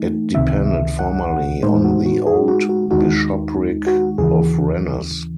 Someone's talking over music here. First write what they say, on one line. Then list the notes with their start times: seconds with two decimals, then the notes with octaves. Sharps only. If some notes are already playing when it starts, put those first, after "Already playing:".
It depended formerly on the old bishopric of Rennes.
Already playing: E3 A3 D#4
0.35 C#2 C3 D#3 E5
0.99 F#5
1.63 A2 G#3 D#4 C5
1.84 F#4
2.06 F#4
2.27 G#4
2.48 F#4
2.69 F#4
2.91 D#2 D#3 G#3 D#4 F#4
3.87 F#4
4.18 D#2 C#3 E3 G#4